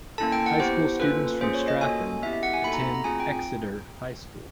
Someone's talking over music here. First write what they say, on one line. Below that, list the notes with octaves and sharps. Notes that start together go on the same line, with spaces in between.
High school students from Stratham attend Exeter High School.
A#3 C#4 E4 A4 A5
G5
F#5
B3 E4 G4 C5
A#3 C#4 F4 A4 B4
A#3 C#4 F4 G#4 C5
C#5
D#5
A#3 C#4 F#4 A4 G#5
B3 E4 G4 E5
E5
F#5
G#5
A#3 D#4 F#4 A4 B5
A#5
A#5
A#5
A3 C4 F4 G#4 G#5
G5